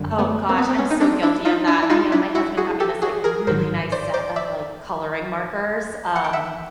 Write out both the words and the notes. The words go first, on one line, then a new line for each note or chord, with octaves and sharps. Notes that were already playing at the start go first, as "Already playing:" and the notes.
Oh gosh, I'm so guilty of that, I know. My husband got me this, like, really nice set of, like, coloring markers, um,
Already playing: G1 F#2 D3 G3
A3 B3
A#3 C4
B3
C4
B3 C#4
D#4
C4 D4
D4 E4
D#4 F4
D4 E4
E4
D#4 F4
D4 E4
E4 F#4
F#4 G#4
G4 A4
F#4 G#4
G#4 A#4
A1 G#2 D#3 F#3 A#4 C5
C5 D5
C5 D5
D5 E5
F#5
G5
E5 F#5